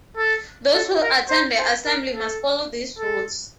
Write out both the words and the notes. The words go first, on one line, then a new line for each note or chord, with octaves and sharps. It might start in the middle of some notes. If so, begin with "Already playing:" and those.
Those who attend the assembly must follow these rules.
A4
A4
A#4
C5
C5
A#4
A4
A4